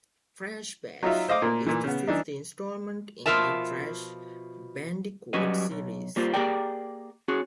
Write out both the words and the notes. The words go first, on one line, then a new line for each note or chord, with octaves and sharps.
"Crash Bash" is the fifth installment in the "Crash Bandicoot" series.
F#3 D#4 F4 E5
C5 D#5 F5 D6
A#2 A#3
A#2 E3
C#3 B3
E3 D4 D#4
B2 F3 F4 A#4 E5 A5
F#3 G3 C#4 F#4 B4 D#5
B1
G3 A#3 F4 C5
A#3 G4 G#4 A#4 D5 G5
C#4 F#4 G#4